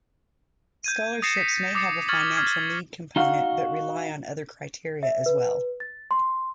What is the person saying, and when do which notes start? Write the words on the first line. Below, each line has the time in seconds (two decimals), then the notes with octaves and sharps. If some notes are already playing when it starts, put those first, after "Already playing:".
Scholarships may have a financial need component but rely on other criteria as well.
0.84 G6 G#6 D#7
1.22 D#6 A6 A#6 C7 C#7 E7
1.36 B6 C#7
1.75 D6 D#6 A6 C7 C#7
2.08 C#6 F6 G#6 A6 C#7 F#7
2.37 D6 D#6 F6 G#6
3.16 D#4 F#4 F5
5.03 E5
5.26 B4
5.80 A6
6.11 C6